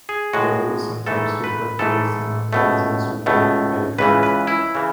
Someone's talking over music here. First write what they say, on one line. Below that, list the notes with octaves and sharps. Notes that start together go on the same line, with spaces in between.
The road is sometimes referred to as the Nyanza Sugar Belt Road.
G#4
A2 G#3 F#4
G#2 E3 A3 A4
B4
G#2 E3 A3 A4
C#2 B2 A3
C#2 B2 A3
C#2 C#3 E3 B4
B4
E4
C#3 E3